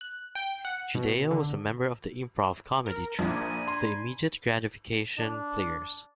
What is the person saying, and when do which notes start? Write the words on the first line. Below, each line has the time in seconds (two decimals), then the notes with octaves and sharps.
Chideya was a member of the improv comedy troupe The Immediate Gratification Players.
0.01 F#6
0.35 G5
0.65 F#5
0.95 B2
1.31 D3
2.86 A#4
3.19 A#1 A#2 D4 G#5 A#5 B5
3.68 C6
5.18 D4